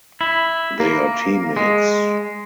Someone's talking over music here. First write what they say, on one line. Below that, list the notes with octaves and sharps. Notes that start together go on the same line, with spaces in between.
They are teammates.
E4
A#3
G#3